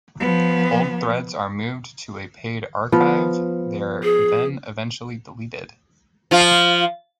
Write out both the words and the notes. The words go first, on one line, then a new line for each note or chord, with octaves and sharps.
Old threads are moved to a paid archive; they are then eventually deleted.
F3 B3
F3 B3
G#4
F3 F4